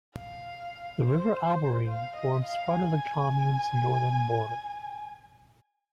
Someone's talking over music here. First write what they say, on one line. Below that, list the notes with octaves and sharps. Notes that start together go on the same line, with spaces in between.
The river Albarine forms part of the commune's northern border.
F5
C5
F5
D#5
F5
G#5